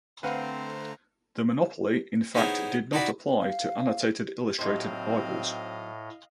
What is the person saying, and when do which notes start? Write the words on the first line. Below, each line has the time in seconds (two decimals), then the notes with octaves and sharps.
The monopoly in fact did not apply to annotated or illustrated Bibles.
0.23 D3 A3 C4 B4 C5 F5 F#5 A#5
2.35 B3 D#4 E4 G#4 C5 C#5
2.93 D#4 E4 F#4 D5 B5
3.41 F5
4.59 A2 F#3 C4 D#4 C5 D#5 F5